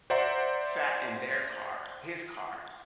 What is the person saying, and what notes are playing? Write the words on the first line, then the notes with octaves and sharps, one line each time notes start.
sat in their car his car,
C5 D5 E5 F#5 A#5 C6